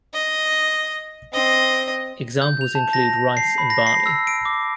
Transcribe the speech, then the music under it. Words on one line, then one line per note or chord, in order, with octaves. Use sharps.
Examples include rice and barley.
D#5
C4 D#5
G6
F7
A5
A#6
C7
B5
A#6
C7
E6
D7
D6